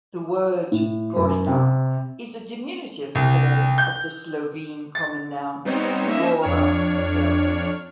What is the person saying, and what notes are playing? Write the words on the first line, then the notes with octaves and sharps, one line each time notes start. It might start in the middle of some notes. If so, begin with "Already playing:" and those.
The word "gorica" is a diminutive form of the Slovene common noun "gora" 'hill'.
A2
F#2
C3
C2
G6
A6
G3 B3 C4 D#4 C5 C#5
A#3 C#4 D#4 E5 E6 E7
F2 D4 C#5 F6